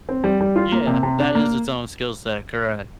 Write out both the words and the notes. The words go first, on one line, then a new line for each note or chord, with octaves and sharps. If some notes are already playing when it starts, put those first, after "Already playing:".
Yeah. That is its own skill set, correct.
C4
G3
G3
F4
A#3
C3
C3
D4
A#3